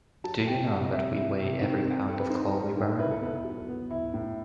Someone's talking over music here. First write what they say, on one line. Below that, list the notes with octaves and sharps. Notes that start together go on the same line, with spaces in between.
Do you know that we weigh every pound of coal we burn.
F#3 A5
C3 G5
C3 F#5
D#5
C3 E5
E4
C3
D#3
C4
C4 A4
B4
D#4 C5
G3
D#3
E4 B4
A4
B3 B4
F#3
B3
E4
A2